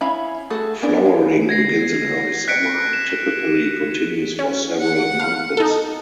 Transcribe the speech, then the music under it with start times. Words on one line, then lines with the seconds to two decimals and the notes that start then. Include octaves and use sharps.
Flowering begins in early summer and typically continues for several months.
0.01 C#4 E4 E5 F5 B5
0.50 A3 F#4 G#4 A4
0.82 B3 C#4 D4 E4 A#4
1.06 F5
1.49 G#6 A#6 C7
2.48 F#6 B6 C#7 D7
2.93 E7
4.39 C#4
4.80 F#5
5.20 F5
5.57 D#4 A4